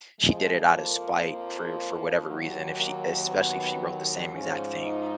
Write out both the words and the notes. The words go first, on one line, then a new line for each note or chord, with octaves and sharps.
she did it out of spite for for whatever reason if she especially if she wrote the same exact thing
F2 F3 G#3
A#3
A#3
D#2 D#3 F#3
A#3
B3
G#2 F3 C#4
D#4